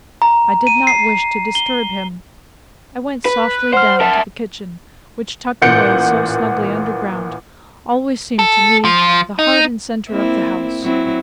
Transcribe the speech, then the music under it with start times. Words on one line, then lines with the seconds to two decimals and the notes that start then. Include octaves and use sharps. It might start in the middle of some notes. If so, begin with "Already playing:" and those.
I did not wish to disturb him. I went softly down to the kitchen which, tucked away so snugly underground, always seemed to me the heart and center of the house.
0.22 A#5
0.67 D#7
0.87 C7
1.55 G7
3.26 B4
3.73 C5 F#5 F6
4.00 A#4 E5 A5 C#7
5.62 A1 A#2 F#5 G6 C#7 D7
8.39 A4
8.85 F3
9.39 D#4
10.09 A#3 C4 E4
10.82 F#3 C4 E4